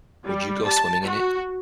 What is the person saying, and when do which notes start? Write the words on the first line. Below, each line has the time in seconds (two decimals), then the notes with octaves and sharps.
would you go swimming in it?
0.24 G3
0.65 A5
1.03 F#4